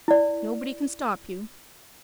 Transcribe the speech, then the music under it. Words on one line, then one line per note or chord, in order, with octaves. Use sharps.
Nobody can stop you.
E4 D5